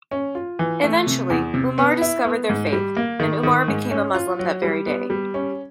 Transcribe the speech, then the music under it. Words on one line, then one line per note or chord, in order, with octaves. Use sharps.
Eventually, Umar discovered their faith, and Umar became a Muslim that very day.
C#4
F4
E3
A3
C3
E2
C3
B3
E4
B3
G#2
G3
A#3
D#3
D#3
G#2
C#4
F4
F#3
G3
B3
G3
C#4